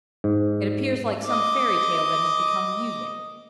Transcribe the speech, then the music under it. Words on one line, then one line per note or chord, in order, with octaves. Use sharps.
It appears like some fairy tale that has become music.
G#2
D#5 D6